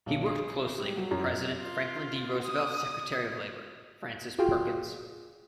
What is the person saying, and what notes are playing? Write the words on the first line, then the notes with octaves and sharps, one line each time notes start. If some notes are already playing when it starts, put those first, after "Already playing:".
He worked closely with the President Franklin D. Roosevelt's Secretary of Labor, Frances Perkins.
B1
G#4
G3
F#3
F#2
F4
D#6
F4 F#4 G#4 F5 G5 C6